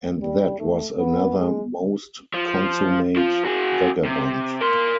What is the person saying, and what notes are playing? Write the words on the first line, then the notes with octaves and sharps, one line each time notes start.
And that was another most consummate vagabond!
G3
A3
B3
G#3
F3
F3 F4
F#4 G#4
C3
A#4 C6